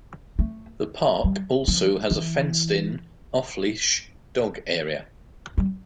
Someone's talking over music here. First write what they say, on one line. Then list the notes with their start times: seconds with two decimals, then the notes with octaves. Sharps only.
The park also has a fenced-in off-leash dog area.
0.39 A3
1.24 G3
1.68 F3
2.11 E3
5.58 G3